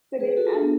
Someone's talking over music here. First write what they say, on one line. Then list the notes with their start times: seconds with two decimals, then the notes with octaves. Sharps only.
sitting at
0.20 G#4 B4
0.37 F#4 A4
0.45 F4 G#4
0.54 D4
0.63 B3